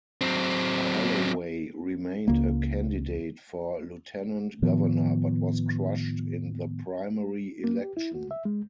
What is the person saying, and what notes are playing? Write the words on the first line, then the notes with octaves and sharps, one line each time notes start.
Holloway remained a candidate for lieutenant governor but was crushed in the primary election.
F#3 C4
C#2 A#3
A2 D#3 F3 B3
A#3
G4
E4
F#4
E5
G#3